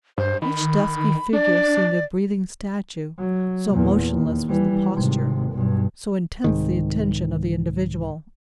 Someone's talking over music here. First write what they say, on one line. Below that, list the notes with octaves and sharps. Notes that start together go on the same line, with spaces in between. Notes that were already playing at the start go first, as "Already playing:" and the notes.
Each dusky figure seemed a breathing statue, so motionless was the posture, so intense the attention of the individual.
G2 C5
D#3 B5
D4 D5
F#3
E2 A#2
D#2
E3 G3
G#1 C3
B1 G2
C2 G#2 D#3